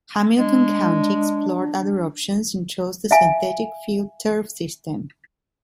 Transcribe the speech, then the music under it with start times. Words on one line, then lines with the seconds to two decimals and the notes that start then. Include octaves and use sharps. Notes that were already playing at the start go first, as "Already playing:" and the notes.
Hamilton County explored other options and chose the synthetic FieldTurf system.
0.38 G#3 D4
3.11 E5 F5 G#5